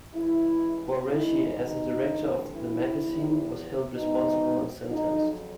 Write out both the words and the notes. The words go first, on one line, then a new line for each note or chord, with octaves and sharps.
Guareschi, as the director of the magazine, was held responsible and sentenced.
C#3 E3 G#3 E4
D#3 G#3 B3 D#4 E4
D#4
G2 E3 A3 C4
E4
E2 C3 F3
B2 G#3 C4 D#4
F2 C#3 F#3 D#4